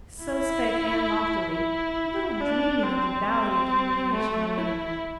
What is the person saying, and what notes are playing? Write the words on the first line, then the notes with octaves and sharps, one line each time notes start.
So spake Anne loftily, little dreaming of the valley of humiliation awaiting her.
E4
E4
D4
C4
C4
A3
E4